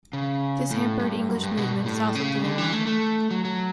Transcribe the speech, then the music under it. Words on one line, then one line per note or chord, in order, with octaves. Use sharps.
This hampered English movement south of the Loire.
C#3
A2
G2
F#2
G2
B2
G2
A2
C#3
D3
E3
A3
A3
F#3
F#3